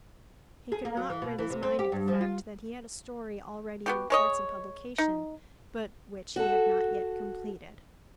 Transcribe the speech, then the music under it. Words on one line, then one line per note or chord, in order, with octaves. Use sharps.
He could not rid his mind of the fact that he had a story already in the course of publication, but which he had not yet completed.
G#4
A#3
F#3
E3
B2
E3
C3
C4
G4
G2
F3
F4
B3 F#4 G4
G#3 C#5 D#5
D#4
F#4 A4